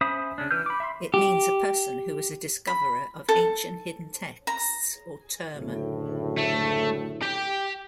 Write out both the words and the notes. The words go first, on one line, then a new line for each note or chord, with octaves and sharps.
It means a person who is a discoverer of ancient hidden texts or "terma".
C#4 C5 E5 B5 D#6
C#3 C#4 D4
E3 B4 F6 G6
B5 D6
E5 B5 C6
G4
B5
A4
A#5
F#1 D2 A2
A3
G4 G5